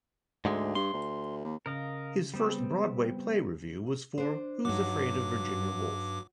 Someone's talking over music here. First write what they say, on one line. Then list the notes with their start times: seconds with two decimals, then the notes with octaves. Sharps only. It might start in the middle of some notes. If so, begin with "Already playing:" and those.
His first Broadway play review was for Who's Afraid of Virginia Woolf?
0.45 D2 G#2 D3 G#3
0.75 G2 C6
0.94 D2
1.44 D#2
1.66 C#3 A#4 D#5 F5
2.34 G3 B3 C4
4.18 D4 C5
4.65 G2 F#3 D#4 D6